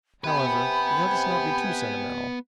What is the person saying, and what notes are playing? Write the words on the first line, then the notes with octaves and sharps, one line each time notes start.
However, let us not be too sentimental.
C3 B3 B4 G5 G#5 B5